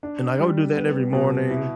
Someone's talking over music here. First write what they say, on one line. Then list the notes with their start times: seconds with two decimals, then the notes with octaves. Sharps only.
and, like, I would do that every morning,
0.03 D4
0.39 G3
0.76 B3
1.13 B2
1.50 E4